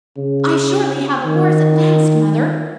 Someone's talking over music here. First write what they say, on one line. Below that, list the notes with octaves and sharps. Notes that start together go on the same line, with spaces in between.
"I surely have a horse at last, mother."
C#3
D#3